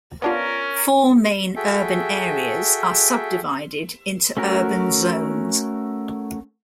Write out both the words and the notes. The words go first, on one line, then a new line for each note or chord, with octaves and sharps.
Four main urban areas are subdivided into urban zones.
B3 C#4 D4 F4 A#4
F#4 G#4 A4 E5 G5
A3 C#4 F#4 A#4